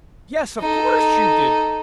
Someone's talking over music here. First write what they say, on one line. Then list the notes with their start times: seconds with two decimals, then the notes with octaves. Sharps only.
'Yes, of course you did!
0.59 D#4 A4